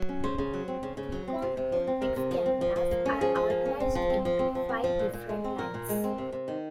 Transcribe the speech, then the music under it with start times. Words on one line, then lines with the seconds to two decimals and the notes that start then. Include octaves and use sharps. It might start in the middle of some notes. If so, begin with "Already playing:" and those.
Nikon Coolpix cameras are organized into five different lines.
Already playing: F#3
0.09 C#4
0.24 C#3 C5
0.38 C#3
0.54 F#3
0.68 C4
0.83 C#3
0.97 C#3
1.12 F#3
1.28 C4
1.42 C3
1.57 C3
1.72 F3
1.87 C4
2.01 C3 A#4
2.16 C3
2.31 F3
2.46 C4
2.61 F3
2.76 F3
2.91 A#3
3.05 C#4
3.21 F3 G#4
3.35 F3
3.50 A#3
3.66 C#4
3.80 C4
3.95 F3
4.10 C4
4.25 F3
4.39 C4
4.55 F3
4.69 C4
4.84 F3
4.99 A#2
5.13 A#2
5.29 G#3
5.44 C4
5.58 A#2 A#4
5.74 A#2
5.89 G#3
6.04 C4
6.18 C3
6.32 C3
6.48 D#3